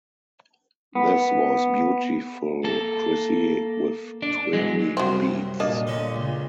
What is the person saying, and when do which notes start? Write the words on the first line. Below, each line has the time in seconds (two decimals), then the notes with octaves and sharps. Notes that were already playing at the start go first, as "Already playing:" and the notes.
This was "Beautiful Crissy with Twirly Beads".
0.95 B3
2.64 A#3 A4
4.22 D4
4.53 F#3 G#3
4.97 C2 F#2 C4 F#4
5.60 A#2 A#3 D4 D#5
5.87 D3 C#4 D#4
6.14 C#2